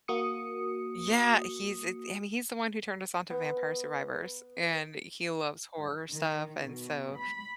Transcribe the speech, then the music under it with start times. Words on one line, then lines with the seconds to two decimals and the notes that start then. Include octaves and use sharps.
Yeah. He's it I mean, he's the one who turned us on to vampire survivors, and he loves horror stuff and so,
0.08 A#3 F#4 D#6 C#7
3.30 B3
6.11 D#3
6.63 B2
7.17 B5